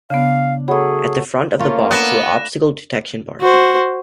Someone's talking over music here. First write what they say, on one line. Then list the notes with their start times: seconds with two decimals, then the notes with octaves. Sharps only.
At the front of the box were obstacle detection bars.
0.10 C#3 B3 D4 F5
0.68 F#3 A3 G#4 B5
1.60 A3 A#3 C#4 F4
1.91 B3 D4 F#6 A#6 E7
3.40 F#4 C5